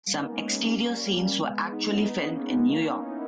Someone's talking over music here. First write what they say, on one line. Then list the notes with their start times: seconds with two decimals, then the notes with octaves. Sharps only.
Some exterior scenes were actually filmed in New York.
0.06 G3 A#3
0.15 B3 D#4
0.23 A#3 C#4
0.31 G#3 B3
0.39 A#3 C#4
0.72 A#3 C#4
0.89 G3 A#3
1.06 G3 A#3
1.22 G3 A#3
1.39 G#3 B3
1.72 B3 D#4
1.88 C#4 E4
2.04 B3 D#4
2.21 A#3 C#4
2.39 G#3 B3
2.55 G#3 B3
2.71 A#3 C#4
2.88 B3 D#4
3.05 C#4 E4
3.13 D#4